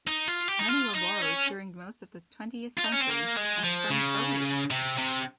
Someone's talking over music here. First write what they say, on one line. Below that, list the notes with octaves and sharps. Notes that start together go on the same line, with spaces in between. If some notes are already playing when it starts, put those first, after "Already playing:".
Many were boroughs during most of the twentieth century, and some earlier.
D#4
F4
G4
D#4
F4
D#4
C#4
F4
D#4
C#4
C4
A#3
G#3
F3
C#3
C3
C3